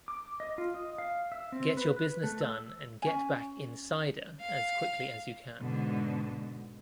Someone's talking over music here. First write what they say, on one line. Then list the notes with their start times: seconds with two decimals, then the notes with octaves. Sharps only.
Get your business done and get back insider as quickly as you can.
0.08 D6
0.40 D#5
0.58 F4
0.74 D#5
0.98 F5
1.32 E5
1.52 C4
1.77 B4
1.96 B4
2.23 A3
2.41 E6
3.02 C#4 G#5
4.41 F5
5.60 G#2 B2 D3